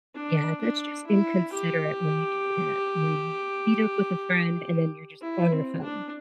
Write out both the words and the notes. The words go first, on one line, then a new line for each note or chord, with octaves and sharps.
yeah, that's just inconsiderate when you do that, when you meet up with a friend and then you're just on your phone.
D4
D4
E4
G4
E4
C4
D4